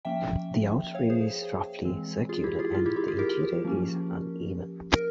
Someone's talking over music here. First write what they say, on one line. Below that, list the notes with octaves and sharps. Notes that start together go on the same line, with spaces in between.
The outer rim is roughly circular, and the interior is uneven.
F3 A#3 C#4 E5 G5
C#5 F5
G#4 C5
E3 G#3 C4
F4 G#4
E4 G4
F4 G#4
F4
E4 G4
E4 G4
F4 G#4
G4 A#4
F3 A#3 C#4
A#4